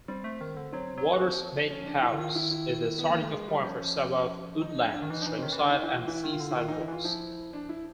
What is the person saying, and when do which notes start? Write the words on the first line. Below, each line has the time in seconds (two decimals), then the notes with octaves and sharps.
Watersmeet House is the starting-off point for some of woodland, streamside and seaside walks.
0.08 G3 C4
0.24 A3
0.41 D#3
0.57 D3
0.73 F#3 C4
0.98 F#3
1.13 E3
1.21 F3
1.71 C#4
1.86 D4
2.03 E4
2.12 D3
2.19 D#3 F4
2.35 E4
2.51 E4
2.98 B3
3.10 A#3
3.16 E3
3.21 A3
3.32 G#3
3.48 G3
3.59 F#3
3.64 F3 C#4
3.81 F3
3.97 F3
4.62 D#4
4.78 D4
4.94 D4
5.02 D#3
5.10 E3 D#4
5.20 F3 D4
5.26 E3 D#4
5.38 C4
5.42 D#3 C#4
5.53 E3
5.59 D#3 D4
5.71 D#3 D#4
5.83 E3 E4
5.95 F4
6.07 E3 E4
6.24 D#3
6.32 F4
6.40 D3
6.51 E4
6.56 D#3 F4
6.68 E3 D#4
6.80 E4
6.88 E3 F4
7.04 F3 E4
7.53 D4
7.69 E4